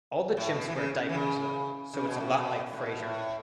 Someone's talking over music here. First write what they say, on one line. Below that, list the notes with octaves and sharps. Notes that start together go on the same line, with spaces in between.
All the chimps wear diapers, though, so it's a lot like "Frasier".
A2
B2
E3
C#3
E3
C#3
C#3
B2
A2
B2
A2
B2
A2